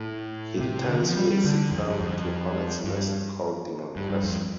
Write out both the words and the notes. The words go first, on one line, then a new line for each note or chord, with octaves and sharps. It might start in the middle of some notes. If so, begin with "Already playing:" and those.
He returns with a sequel to "Hornets' Nest" called "Demon Quest".
Already playing: A2
C3
D3
F3
G3
G3
D3
F2
G2
F2
G2
G2
G2
F2